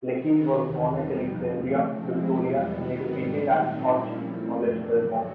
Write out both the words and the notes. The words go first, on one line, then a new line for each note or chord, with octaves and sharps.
Leckie was born at Alexandra, Victoria and educated at Scotch College, Melbourne.
D#3 F#3 B3
E2 C3 D#3
B2 G3 B3 D#4
F2 C#3 F3
C#3 F3 A3 C4
A2 F3 G#3 C4 E4
E2 B2 G3 B3
D#3 F#3 B3
G#2 D#3 G3 B3
A#2 F#3 A3 C4 D#4
A#2 G3 A#3 C#4 E4
A2 F3 A3 C4
F#2 C#3 F#3 A3 D4
F#2 D3 F#3